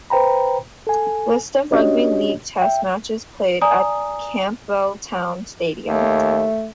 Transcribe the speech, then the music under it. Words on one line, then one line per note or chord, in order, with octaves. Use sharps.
List of rugby league test matches played at Campbelltown Stadium.
B4 C5 G5 A#5 B5
A4 G#5
C#4 D4 F#4 G4 C#5 D#5
E5 G5
D5 G#5 A#5 D#6
D#2 A3